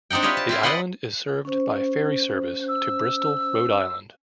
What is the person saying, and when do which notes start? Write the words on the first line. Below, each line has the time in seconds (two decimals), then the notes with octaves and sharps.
The island is served by ferry service to Bristol, Rhode Island.
0.10 C4 D4 D#4 F#5 G5
0.22 F4 G4 B4 C#5 D#5 E5
0.37 A5
0.49 C4 E4 F4
0.63 B4 D5 D#5 F#5 B5 C6
1.45 C#4 C5
2.69 E6